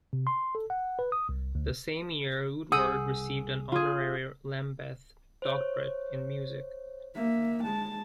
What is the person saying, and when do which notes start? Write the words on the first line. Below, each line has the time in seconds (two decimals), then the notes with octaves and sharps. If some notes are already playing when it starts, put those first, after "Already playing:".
The same year Woodward received an honorary Lambeth Doctorate in Music.
0.13 C3
0.27 C6
0.55 A4
0.70 F#5
0.99 B4
1.12 D#6
1.29 C2
1.55 D2
2.72 C2 G#4 F#5 D#6 E6 G6
3.72 F4 G#4
5.42 C5 C#5
7.16 A#3 E5
7.64 G#3 A5